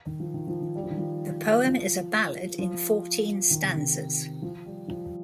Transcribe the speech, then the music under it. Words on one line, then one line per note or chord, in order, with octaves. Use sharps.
The poem is a ballad in fourteen stanzas.
D#3
F3
D#3
F3
D#3
G3
F3
D#3
F3
F3
F3
D#3
C3
D#3
F3
G3
F3